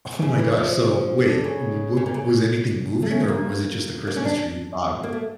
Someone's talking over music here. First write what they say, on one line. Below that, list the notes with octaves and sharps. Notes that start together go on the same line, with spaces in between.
Oh my gosh, so wait w was anything moving or was it just the Christmas tree you thought w
C#3
E3
E3
F3
D3
C#3
C#3
A#2
C#3
A3
C#4
A3
A#3
A#3
C#4
D4
A#3
A3